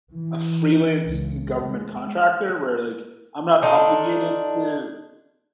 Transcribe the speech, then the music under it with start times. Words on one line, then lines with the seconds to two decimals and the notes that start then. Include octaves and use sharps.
a freelance government contractor where, like, I'm not obligated to
0.12 E3
1.05 C#2
1.67 G#3
3.62 D4 D#4 F4 A4